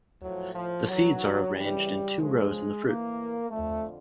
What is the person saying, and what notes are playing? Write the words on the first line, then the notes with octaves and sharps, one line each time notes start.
The seeds are arranged in two rows in the fruit.
A2 F3 F#3
F3
G#2 E3 F#3
F#2 C#3 E3 G3
F2 C#3 F3 G#3
A2 E3 A#3
F2 D3 F3 A3